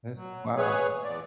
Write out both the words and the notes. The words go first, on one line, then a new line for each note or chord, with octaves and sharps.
That's wild.
F#3
B3 G#4 B4 C#5
E2 D5